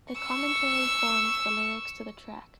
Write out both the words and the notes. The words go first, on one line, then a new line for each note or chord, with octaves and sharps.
The commentary forms the lyrics to the track.
C#6 E6